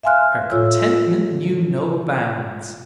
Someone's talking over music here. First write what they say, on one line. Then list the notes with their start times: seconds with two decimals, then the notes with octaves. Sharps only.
Her contentment knew no bounds.
0.03 E5 F5 G#5 C6 F6 F#6
0.52 A2 F4 C#5 E6